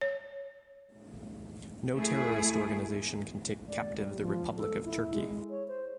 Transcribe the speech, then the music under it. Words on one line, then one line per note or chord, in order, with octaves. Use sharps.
No terrorist organization can take captive the Republic of Turkey.
C#5
A3 E4 G#4
D5
G3
F3
A4
E4
G#3
C#5
C5